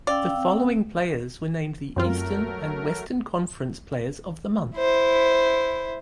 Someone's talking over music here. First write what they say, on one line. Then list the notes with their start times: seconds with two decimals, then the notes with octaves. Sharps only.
The following players were named the Eastern and Western Conference Players of the Month.
0.07 C#4 D5 F5 G5 E6
0.36 C4
1.96 F#2 F#3 A3 C4 F4 A#4
4.77 E4 C5